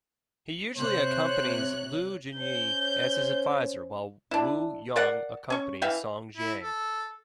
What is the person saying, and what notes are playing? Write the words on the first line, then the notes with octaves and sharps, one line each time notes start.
He usually accompanies Lu Junyi as his advisor while Wu Yong accompanies Song Jiang.
C3 C5 C#5 F#6
C#4 C5 G6
D4 E4
A#4 D5 F5 F#5
C#4 C#6
E3 E5 F5 G5
E4
A4